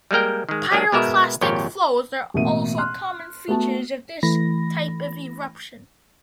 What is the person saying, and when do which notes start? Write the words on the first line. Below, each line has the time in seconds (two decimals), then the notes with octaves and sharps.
Pyroclastic flows are also common features of this type of eruption.
0.11 G3 G#3 A#3 A#4 G5
0.49 D#3 G#3
0.71 F#3 G#3 A#3 D4 G4
0.92 B2 G#3 B3 A#4 E5
1.41 G#1 F2 A#2 G4 C#5 G5
2.34 A1 B2 A#3 E5 D#7
2.78 C6 F6 F#6
3.48 A3 B3 F#4 A5
4.23 E3 A3 B5 A#6